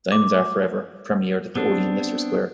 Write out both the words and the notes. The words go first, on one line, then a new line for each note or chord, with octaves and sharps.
"Diamonds are Forever" premiered at the Odeon Leicester Square.
D6
B3 C4 D4